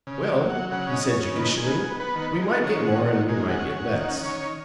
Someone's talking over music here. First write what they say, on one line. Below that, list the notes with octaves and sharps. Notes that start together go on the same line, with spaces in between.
"Well," he said judicially, "we might get more and we might get less."
C#3
F#3
F#3
F#3 F#5
C#3 F#5
C#4
D#5
C#3
C#5
C#3
D#3 B4
D#3
G#4
B3
G#4
B3
B3 B4
D#3
B4
D#3
G#4
D#3
D#3 C#5
C#4
F#5
D#3
F#4
D#3
D#3 G#4
G#3 F#5
C#4
C#4 F#5
D#3 F#5
C#4
D#3 C#5
D#3